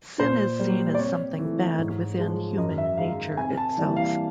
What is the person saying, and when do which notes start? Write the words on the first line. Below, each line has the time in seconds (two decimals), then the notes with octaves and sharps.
Sin is seen as something bad within human nature itself.
0.20 A#2 C5
0.59 G3 A#3
0.95 D5
0.99 C3 C#5
1.39 E3 A3
1.78 G#2
2.18 F3 G#3
2.58 F#2 D#5
2.78 E5
2.98 D#3 G#3 F5
3.37 C3 G#5
3.57 A5
3.77 E3 G3 A#3
3.97 F5